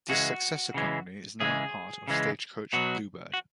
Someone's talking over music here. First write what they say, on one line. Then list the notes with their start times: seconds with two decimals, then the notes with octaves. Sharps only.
This successor company is now a part of Stagecoach Bluebird.
0.09 C#3 E3 G#3 F#4
0.74 C#3 E3 G#3
1.40 C#3 E3 G#3 G#4
2.08 C#3 E3 G#3
2.73 B2 F#3 F#4
3.34 F#4